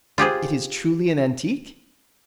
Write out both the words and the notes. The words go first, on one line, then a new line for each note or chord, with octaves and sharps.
"It is truly an antique?"
F4 G4 G#4 C5